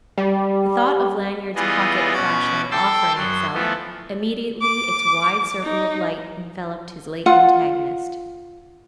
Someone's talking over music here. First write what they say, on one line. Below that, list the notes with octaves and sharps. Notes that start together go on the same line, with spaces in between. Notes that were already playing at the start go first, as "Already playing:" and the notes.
The thought of Lanyard's pocket flash-lamp offering itself, immediately its wide circle of light enveloped his late antagonist.
G3
E3 G3 B3 F4 G#4 D#5
B2 C#4 F#4 D6 G#6
A4 G5 A5 C6 D6 E6
F#2 F#3 C6
E3 F3 A3 B3
D6
D#4
F4 F#5